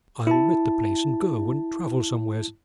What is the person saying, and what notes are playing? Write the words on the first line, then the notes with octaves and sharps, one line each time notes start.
I'll let the place, and go and travel somewheres.
E4 A5